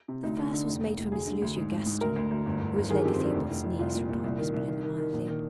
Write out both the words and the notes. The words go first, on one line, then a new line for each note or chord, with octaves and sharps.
"The first was made for Miss Lucia Gaston, who is Lady Theobald's niece," replied Miss Belinda mildly.
C3
D2 D#4
D3
D3
F1
D#2
F1
D2 G#4
D3
D2
G#2
G#1
G#2
D2 A#4
D2
D2
G1
G1
G1
D#3 G#4
F2 G4
C4
D#3 D4
F1
F1
F1
C2 F4
A#2
A#2
C2
D#3
C2
D#3
D#3
D#3
A#1
D#3